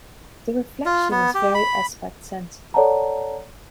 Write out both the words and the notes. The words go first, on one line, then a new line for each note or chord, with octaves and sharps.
The reflection is very aspect sensitive.
F4
B3
G4
B5
A4 C#5 D5 F#5 A5 A#5